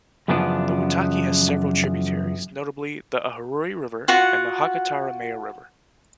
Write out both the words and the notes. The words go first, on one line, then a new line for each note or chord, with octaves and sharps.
The Waitaki has several tributaries, notably the Ahuriri River and the Hakataramea River.
F#2 C#3 E3 F3 B3 D4
F4 F#4 F#5